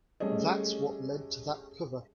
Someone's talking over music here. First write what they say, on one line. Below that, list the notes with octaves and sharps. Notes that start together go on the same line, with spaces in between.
That's what led to that cover.
G3 A3 C#4 G#4 D#5